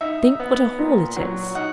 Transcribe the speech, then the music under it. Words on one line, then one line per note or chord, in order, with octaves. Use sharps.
Think what a haul it is!'
D#4 E5
B3
A#2
F#3
D#4 F#5